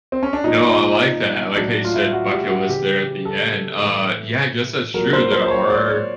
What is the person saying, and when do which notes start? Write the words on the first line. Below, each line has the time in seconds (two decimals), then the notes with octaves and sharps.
No, I like that, I like how you said "bucket list" there at the end. Uh, yeah, I guess that's true, there are
0.12 C4
0.23 C#4
0.33 D4
0.44 A#2 F3 D#4
1.56 A2 F#3 D4
1.85 F4
1.94 E4
2.13 F#4
2.32 G4
2.50 F#4
2.69 C#3 E3 G4
3.25 A4
3.82 A2 E3
4.94 A#2 F#3 A#4
5.13 C5
5.32 C5
5.45 C5
5.51 C#5
5.70 D5
5.88 C#5